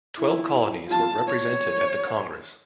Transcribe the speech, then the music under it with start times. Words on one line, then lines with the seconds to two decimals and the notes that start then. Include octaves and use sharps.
Twelve colonies were represented at the Congress.
0.19 E4
0.89 F4 A5
1.28 C#5